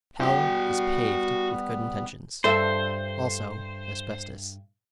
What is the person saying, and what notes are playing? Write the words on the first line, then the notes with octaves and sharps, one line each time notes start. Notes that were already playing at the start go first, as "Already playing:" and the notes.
Hell is paved with good intentions--also asbestos.
G3 B3 F#4 G5
G2 A4 C5 E5